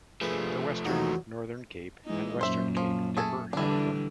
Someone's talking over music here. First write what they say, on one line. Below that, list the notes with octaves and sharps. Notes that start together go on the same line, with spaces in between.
The western Northern Cape and Western Cape differ however.
G2 A#2 F3 A3 G#4 B4
E2 B2 F#3 A#3 D#4
E3 G#3 D#4
F#2 A#2 C5 E5
F3
A3 G#4 A4
D3 E3 G3 D4 E4